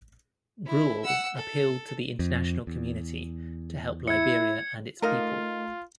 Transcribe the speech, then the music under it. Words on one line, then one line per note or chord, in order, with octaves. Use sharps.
Grewal appealed to the international community to help Liberia and its people.
E4
F#5 E6
A4
F2
E2
E4 G#6 C#7
A3 D#4 F4 A#4 F5